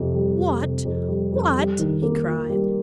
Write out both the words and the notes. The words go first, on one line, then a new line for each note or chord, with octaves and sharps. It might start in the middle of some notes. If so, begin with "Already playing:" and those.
"What! what!" he cried.
Already playing: F2 C3
G3
F2
C3
F2
G3
F2
G3
D#3
A#3
F4
G3